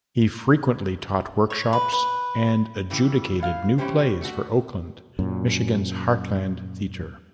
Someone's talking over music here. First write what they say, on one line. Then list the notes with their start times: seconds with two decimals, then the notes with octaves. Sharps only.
He frequently taught workshops and adjudicated new plays for Oakland, Michigan's Heartlande Theatre.
1.50 C#5
1.73 B4
1.92 B4
2.90 C#3 E3 G3
3.39 A2 F5
3.78 E3 G3 C#4 G4 C5
4.21 A3 F#4
5.19 F#2 A#2